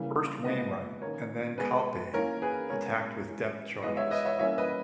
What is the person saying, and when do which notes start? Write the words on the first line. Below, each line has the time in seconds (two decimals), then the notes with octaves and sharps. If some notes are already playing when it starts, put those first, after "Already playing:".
First "Wainwright" and then "Calpe" attacked with depth charges.
Already playing: C#3 E3 G3 A#3
0.45 A#2 G#3 B3 B4 D#5
1.02 D#3 A#3 C#4 A#4 C#5
1.58 B2 G#3 B3 G#4 B4
2.14 E3 A#3 C#4 A#4 C#5
2.42 G#4 B4
2.70 B2 G#3 C#4 A#4 C#5
3.27 E3 G#3 C#4
3.83 E3 G#3 B3 B4 D#5
3.97 C#5 E5
4.11 B4 D#5
4.25 C#5 E5
4.39 E3 G3 A#3 C#4 C#5 E5
4.58 B4 D#5